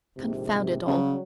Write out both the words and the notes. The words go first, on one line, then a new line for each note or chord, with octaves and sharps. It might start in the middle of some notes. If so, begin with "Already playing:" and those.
Confound it all!
A#1 G#2 C3
C#3 F#3 G3